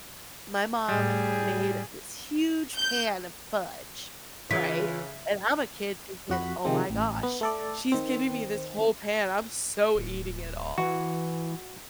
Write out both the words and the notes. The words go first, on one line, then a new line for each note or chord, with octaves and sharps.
my mom made this huge pan of fudge, right? And I'm a kid thinking, "Oh my gosh, she's giving me this whole pan. I'm so eating it all."
A2 G3 G#4
G6
C#3 E3 F4 B6
F2 F#4 B5
C3 D#3 F3 G#3 C4
A1
B3
A3 A4 D5
D#3 C4
D1
E3 F#4